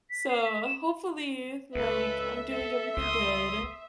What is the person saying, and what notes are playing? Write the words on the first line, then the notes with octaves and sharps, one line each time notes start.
so, hopefully, like, I'm doing everything good.
B6
C7
B6
E7
C#2 A4 B4 E5
A4
C#2 C6 D#6